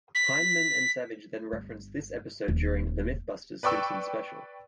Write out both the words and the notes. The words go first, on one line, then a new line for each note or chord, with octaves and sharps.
Hyneman and Savage then reference this episode during the "MythBusters" Simpsons special.
B6
G1
D#1
B4 D5 G5 C#6 E6